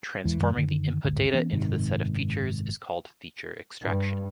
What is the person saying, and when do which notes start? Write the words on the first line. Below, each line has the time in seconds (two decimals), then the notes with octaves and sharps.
Transforming the input data into the set of features is called feature extraction.
0.24 D1 E2 E3 G#3
0.40 F#2 D#3 G3 A3
0.55 F#2 D3 D#3
1.04 D1 G1 G#2 D3
1.33 E3 B3 C#4
1.53 F#1 G#2 C3 D#3
3.82 G2